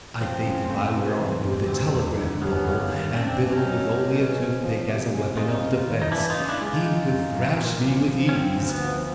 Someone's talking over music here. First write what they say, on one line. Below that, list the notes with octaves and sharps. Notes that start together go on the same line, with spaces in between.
I think if I were armed with a telegraph pole and Bill with only a tooth-pick as a weapon of defense he could thrash me with ease.
F3 C4
C#3
A3
B2
E2
G3
D2
E1
D3
G2 B3 C#4
G1
D#3
C#3 C4 D4
F#2
C#4 D#4
F#3
G3
B2
C4
F3
C3
G#3
C3 D#4 F4
C#2
D#3
D#4
E3 D4 E4
D#4 F4
C#3
D4 E4
G#3
D#4 F4
D3
F#2
F#3
A#2
A#1
F3
C#4
D3 C4
D2
B3
F3